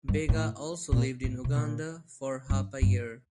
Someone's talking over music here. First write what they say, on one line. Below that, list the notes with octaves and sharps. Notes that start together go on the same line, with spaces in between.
Bega also lived in Uganda for half a year.
G2
A2
A#2
A2
C3
A#2
G2
G2